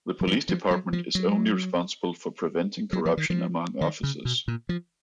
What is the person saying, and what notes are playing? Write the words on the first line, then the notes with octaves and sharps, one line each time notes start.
The police department is only responsible for preventing corruption among officers.
F#3
F3
F3
F#3
F3
F#3
F#3
F3
D#3
F3
D#3
C#3
B2
A#2
F3